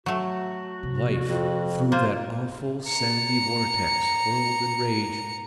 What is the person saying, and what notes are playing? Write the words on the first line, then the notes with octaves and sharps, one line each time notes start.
Life, through that awful sandy vortex, whirled and raged.
F#3 A3 F#4
C3 F3
F2
A#3 F4 C5
A#5 C#7